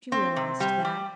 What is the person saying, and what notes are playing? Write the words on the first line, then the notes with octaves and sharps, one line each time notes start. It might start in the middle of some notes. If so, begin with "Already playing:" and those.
She realized that.
C4
C3
G3
G3